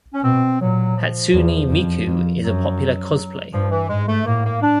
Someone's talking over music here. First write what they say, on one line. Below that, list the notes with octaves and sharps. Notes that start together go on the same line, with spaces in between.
Hatsune Miku is a popular cosplay.
C#4
B2 C4
A#2 F#3
F3
E2
F2
F2
F#2 F#3
G2 F3
E3
G#2 G#3
A3
A2 A#3
A#3
D4